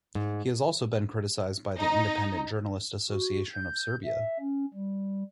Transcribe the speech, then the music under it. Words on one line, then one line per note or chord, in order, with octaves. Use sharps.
He has also been criticized by the Independent Journalist Association of Serbia.
G#2
D#4
F#4
G6
E5
C#4
G3